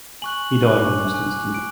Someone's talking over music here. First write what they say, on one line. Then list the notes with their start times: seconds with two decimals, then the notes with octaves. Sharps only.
He died almost instantly.
0.22 G#5 C#6 F#6 F#7
0.68 G#5 D6 F#6
1.14 G#5 D6 F#6
1.54 D7